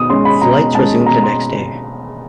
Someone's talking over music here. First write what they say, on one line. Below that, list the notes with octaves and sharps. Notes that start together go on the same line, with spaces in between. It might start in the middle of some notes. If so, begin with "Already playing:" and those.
Flights resumed the next day.
Already playing: B2 D#6
G#3 C#4 C6
B5
B2 A#5
G#3 C#4 A5
B2 A#5
C6